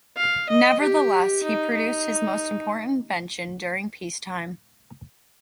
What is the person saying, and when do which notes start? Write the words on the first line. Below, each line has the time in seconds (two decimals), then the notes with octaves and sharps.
Nevertheless, he produced his most important invention during peace time.
0.17 F5
0.49 D#5
0.80 G4
1.43 D#4
1.74 D#4